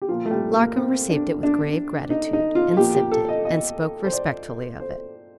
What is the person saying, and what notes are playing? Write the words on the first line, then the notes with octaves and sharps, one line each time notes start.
Larcom received it with grave gratitude, and sipped it, and spoke respectfully of it.
G4
A#2 F3 F4
A3
G3
A#3
C4
D4
D4
D#4
D#4
F4
A#2 F3 G4
G4
A4
D#5
D#5
C5
D5
C5